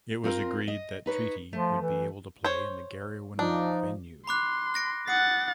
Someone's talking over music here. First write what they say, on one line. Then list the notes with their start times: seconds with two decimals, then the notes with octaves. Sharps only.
It was agreed that Treaty would be able to play in the Garryowen venue.
0.24 C4 F4 A#4
0.68 D#5
1.06 D#4 B4 C#5
1.53 F3 A3
1.81 E3
2.44 C5 C#5
3.39 F3 D4 D#4
4.27 B5 C6 D6 F#6
4.74 F#6 A#6 D7
5.08 F#5 D#6 A6 C7